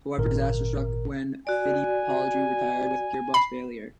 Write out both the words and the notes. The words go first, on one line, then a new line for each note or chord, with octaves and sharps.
However disaster struck when Fittipaldi retired with gearbox failure.
G#1 A#2 A#4
F#4 D5 G#5
B5 C7